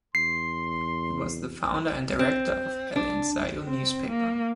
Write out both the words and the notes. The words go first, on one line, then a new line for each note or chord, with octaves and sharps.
He was the founder and director of "El Ensayo" newspaper.
E2 C6 C7
C4
D4
C4
A#3